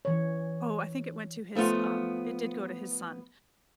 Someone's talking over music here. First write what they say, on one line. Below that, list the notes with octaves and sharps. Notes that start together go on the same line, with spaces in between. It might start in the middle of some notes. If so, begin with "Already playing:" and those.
oh, I think it went to his, um it did go to his son,
E3 C#5
F3 A3 B3 F4